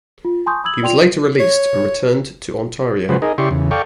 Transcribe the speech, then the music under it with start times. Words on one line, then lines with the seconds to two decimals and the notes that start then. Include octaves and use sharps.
He was later released and returned to Ontario.
0.25 F4
0.46 G#5 A5 C6 C#6 D#6 G6
0.64 B5 D#6 E6 G#6 F#7
0.82 F4 D5 G5 C6 F7
1.40 C#5
3.09 C#3 F3 G#3 F#4 B4 C5
3.22 D#4 G#4 A#4 D#5
3.38 C#3 E4 G4 D5 C6 C#6
3.51 E2 C#3
3.71 A4 D5 F5 G5 C#6